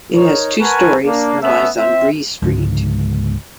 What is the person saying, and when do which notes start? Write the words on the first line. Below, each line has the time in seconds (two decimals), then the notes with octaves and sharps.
It has two stories and lies on Bree Street.
0.14 D#4 A#4 C#5
0.59 A#4 B4 F#5 G#5 A5 C#6
1.04 A#3 D4
1.41 A3 B3 C#4 E5
1.76 C4 E5
2.42 C#2 G#2 D3 G#3